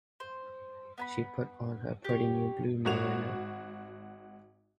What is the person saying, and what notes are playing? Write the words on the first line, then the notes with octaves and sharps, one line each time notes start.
She put on her pretty new blue merino.
C5
B3 A5 B5
G4 C#5
G#1 F#4 F7